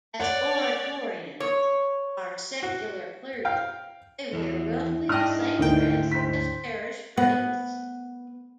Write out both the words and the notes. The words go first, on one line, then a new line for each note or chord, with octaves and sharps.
As Oratorians are secular clergy, they wear roughly the same dress as parish priests.
C#5 D5 F#5
C#5
F#4
F5 G5
E2 E4
G#2 D4 D#5 G5 F6
D2 D#3 D#4 G5
C5 B6
B3